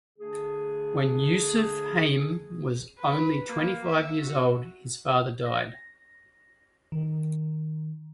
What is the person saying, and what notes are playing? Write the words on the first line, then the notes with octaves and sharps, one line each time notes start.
When Yosef Hayim was only twenty-five years old, his father died.
D3 A3 D4 G#4
B4
A#3
E5
F#4
A#6
D#3